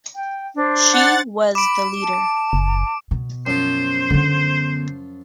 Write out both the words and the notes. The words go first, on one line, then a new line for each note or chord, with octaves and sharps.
She was the leader.
G5
D4 C5
F#5 A6
B5 D6 D7
A5
F#1
B2
F#2 F3 C5
D3 B3